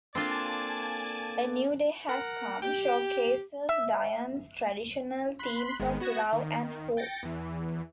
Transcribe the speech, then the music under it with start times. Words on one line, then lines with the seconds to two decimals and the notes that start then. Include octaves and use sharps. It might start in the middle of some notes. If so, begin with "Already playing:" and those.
"A New Day Has Come" showcases Dion's traditional themes of love and hope.
0.15 A#3 C4 D4 F4 A4 D5 G#5 A5
2.09 A#4 F#5
2.62 G4 G5
3.69 E5
5.39 B5 C6 F#6 B6 C7
5.80 G#1 D#3 G#3 B3
6.00 B3 F#4 G#6 A#6 E7
6.33 D#3
6.97 G5 A6 A#6 C#7
7.23 E2 E3